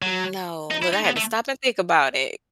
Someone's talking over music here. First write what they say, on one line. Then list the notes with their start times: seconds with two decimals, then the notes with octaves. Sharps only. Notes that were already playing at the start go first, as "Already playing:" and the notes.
No, look, I had to stop and think about it
0.02 F#3
0.71 D#4
0.83 E4
0.93 D#4
1.05 B3
1.17 A3